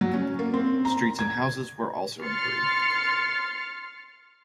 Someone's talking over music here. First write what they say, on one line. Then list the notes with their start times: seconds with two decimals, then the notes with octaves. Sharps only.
Streets and houses were also improved.
0.01 F#3
0.13 C#4
0.39 A#3
0.54 C4
0.85 A#5
1.19 G#6
2.23 C6 F6 A6 C7 C#7